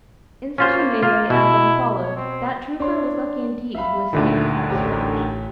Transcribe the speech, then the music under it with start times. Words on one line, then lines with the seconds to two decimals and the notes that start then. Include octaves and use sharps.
In such a melee as then followed, that trooper was lucky indeed who escaped without a scratch.
0.58 A#3 C#4 F4 C5
1.03 A#3 F4
1.30 B2 E4
2.02 C#5
2.16 C4
2.80 D4 C#5 C6
3.75 E5 F5 B5
4.13 D2 A#2 D3 D#3 E5
4.70 A1 G4 A#5